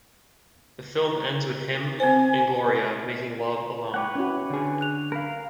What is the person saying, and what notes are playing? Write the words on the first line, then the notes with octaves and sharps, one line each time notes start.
The film ends with him and Gloria making love alone.
C4 C5 G#5
B4 C#5 F#5 G5 D6
C#4 E4 F#4
D3 G#4
F#6 F7
A#4 F5 B5